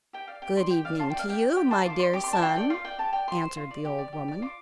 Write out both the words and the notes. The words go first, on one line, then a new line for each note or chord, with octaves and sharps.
'Good evening to you, my dear son,' answered the old woman.
G4 G5
D5 F5
G4 G5
D5 C6
G4 G5
D5 F5
F4 A5
D5 G5
F5
G4 G5
D5
G4 G5
C5 A5
F4 D6
D5 C6
G4 D6
C6
D5
A5
F4 G5
A4 D5 G5
F4 F5
D5 G5
G4 A5
D5 G5
G4 C6
C5
F4
D5
G4
D5
G4
D5
F4 D6